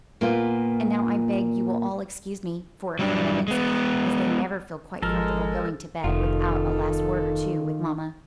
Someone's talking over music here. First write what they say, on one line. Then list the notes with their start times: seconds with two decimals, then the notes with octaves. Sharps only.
"And now I beg you will all excuse me for a few moments, as they never feel quite comfortable going to bed without a last word or two with mamma."
0.21 A#2 A#3 B3 F4
2.99 F#3 G3 D4
3.48 G#3 B3
5.03 G#1 F3 G#3 A4 A#4 F6
6.04 F1 D#3 F4 A4